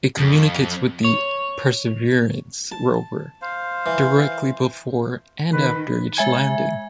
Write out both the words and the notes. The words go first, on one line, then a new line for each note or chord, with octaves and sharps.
It communicates with the "Perseverance" rover directly before and after each landing.
F2
C#5
A5
C5 F5
E3
D#3 B4
G#3 E5 G#5 G#6